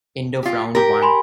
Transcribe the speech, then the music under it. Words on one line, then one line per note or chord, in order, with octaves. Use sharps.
End of round one.
F4 G4
G4 A#4
G#5 B5 C6